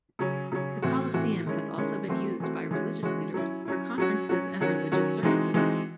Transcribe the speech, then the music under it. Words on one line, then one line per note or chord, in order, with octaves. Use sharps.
The Coliseum has also been used by religious leaders for conferences and religious services.
C#3 F#3 C#4
C#3 F#3 C#4
A2 E3 C4 F#4
A2 E3 C4 F#4
D#3 G#3 C#4 E4
D#3 G#3 C#4 E4
E3 A3 C4 F#4
E3 A3 C4 F#4
E3 G#3 C#4 F#4
E3 G#3 C#4 F#4
F#3 C#4 E4
F#3 C#4 E4
F#3 C#4 F#4
F#3 C#4 F#4
D#3 F#3 C#4 F#4
D#3 F#3 C#4 F#4
E3 G#3 C4 D#4 F#4
E3 G#3 C4 D#4 F#4